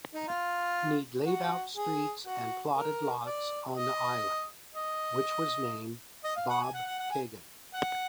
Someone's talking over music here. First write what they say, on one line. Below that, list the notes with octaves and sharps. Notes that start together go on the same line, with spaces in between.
Need laid out streets and plotted lots on the island, which was named Bobcaygeon.
D#4
F4
F#4
G#4
F#4
A#4
D5
D#5
D#5
D#5
F5
F#5
G#5
F#5
F#5
F#5
G#5
F#5